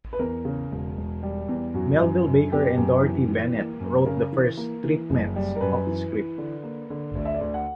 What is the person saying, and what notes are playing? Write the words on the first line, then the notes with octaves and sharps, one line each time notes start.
Melville Baker and Dorothy Bennett wrote the first treatments of the script.
B4
E2 A#4
C#3
E1
E1
G3
E2
F#2 F#4
F#2
F#2
B3 G4
F#2
E3
E3
A#3
F#2
C#3 A#4
E3
A#3
E3
F#1
G3
A#4
F#2 B4
E3
E3
D3
A#3
D3
D2 D5
E5
D5
D2
F#5